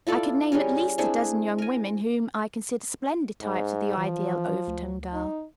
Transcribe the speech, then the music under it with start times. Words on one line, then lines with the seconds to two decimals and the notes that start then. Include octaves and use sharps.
"I could name at least a dozen young women whom I consider splendid types of the ideal Overton girl."
0.07 E4 F4 A4 D5
0.52 G3 C#4 G#4 A#4
0.98 C4 D4 E4 G#4
1.58 A#4 G#5
3.42 G#2
3.97 E3 F3
4.67 D2
5.13 D#4